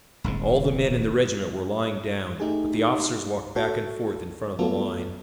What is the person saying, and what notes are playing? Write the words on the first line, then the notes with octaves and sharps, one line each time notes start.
All the men in the regiment were lying down, but the officers walked back and forth in front of the line.
D#1 G#1 G#2
A3 D#4 G4 G#4
F#4 A4
F#3 A3 B3 F4 A4